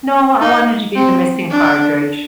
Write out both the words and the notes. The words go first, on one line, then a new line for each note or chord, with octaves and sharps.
No, I wanted to be the missing Partridge.
D#4
C4
D4